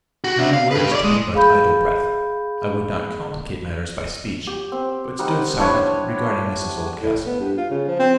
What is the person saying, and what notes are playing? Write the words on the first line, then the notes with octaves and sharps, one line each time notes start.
Knowing words to be but idle breath, I would not complicate matters by speech, but stood silent, regarding Mrs Oldcastle.
F#4 G4
D4 E5
F5
G4 B4
C#5 D5
G#3
G#4 F5 B5 G6
G4
C4
G3 D#4 F#5
D4 E4 B4 C#5
A2
B3
G2
F4
C#3
F3
C4